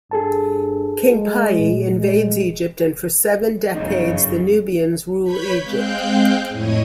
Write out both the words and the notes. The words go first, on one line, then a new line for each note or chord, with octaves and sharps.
King Piye invades Egypt and for seven decades the Nubians rule Egypt.
G2 G#4 A4 A5
G#3
A#2 A3
G#3
G1 F#2 C#3 D#4
B4 C#5 B5 G6 G#6 B6
G#3 C4 F5 G5 F#6 G6
F2 A2 E4 C#5 D#5 D#6